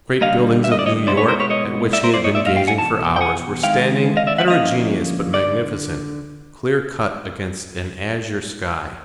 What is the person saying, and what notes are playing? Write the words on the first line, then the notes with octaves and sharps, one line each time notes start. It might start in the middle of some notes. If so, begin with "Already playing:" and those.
The great buildings of New York, at which he had been gazing for hours, were standing, heterogeneous but magnificent, clear-cut against an azure sky.
G2 D3 G3 A#3 D#5 F5
E5
D#5
D5
C#5 D#5
B2 G#3 B3 E4 C5 D5
B4 C#5
A#4 C5
B4 C#5
C#5 D#5
A#2 G3 A#3 D5 E5
A#4 C5
C5 D5
C#5 D#5
D5 E5
D#5 F5
F5 G5
F#5 G#5
E2 B2 A5
G5
F#5 G#5
D#3 G#3 C4 E4 F5 G5
D#5 F5
D5 E5
E5 F#5
D3 F3 A#3 C#4 E4 D#5 F5
D3 D5